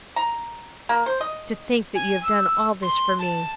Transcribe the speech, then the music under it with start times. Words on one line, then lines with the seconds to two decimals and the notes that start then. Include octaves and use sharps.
"To think that you have done all this for me."
0.16 A#5
0.89 A#3
1.06 C5
1.21 D#5
1.95 G#5
2.23 E6
2.82 C6
3.19 A5